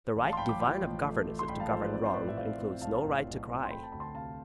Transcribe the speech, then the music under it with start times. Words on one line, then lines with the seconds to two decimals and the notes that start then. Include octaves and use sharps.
The right divine of governesses to govern wrong includes no right to cry.
0.16 A1
0.27 F5 A5
0.33 C6
0.37 A1 G5 B5
0.49 B5 D6
0.60 F3 G5 B5
0.82 A1
1.04 A3
1.27 A3
1.39 C6
1.48 A1 G5 B5
1.60 F5 A5
1.71 F3 A4 C5
1.81 B4 D5
1.94 C4 D5
2.04 C5
2.13 A2 B4 D5
2.28 E5
2.37 C4 D5 F5
2.59 C4
2.82 B1 F5 A5
3.05 A2
3.27 B1
3.49 C4
3.65 C6
3.70 A3 G5 B5
3.83 A5
3.92 D2 B5
4.00 A5 C6
4.14 C3 F5 A5